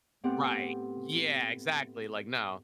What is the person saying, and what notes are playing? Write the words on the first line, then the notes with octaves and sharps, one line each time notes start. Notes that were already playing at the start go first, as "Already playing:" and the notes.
right, yeah, exactly, like, "No."
A2 B3 C4 G4 F#5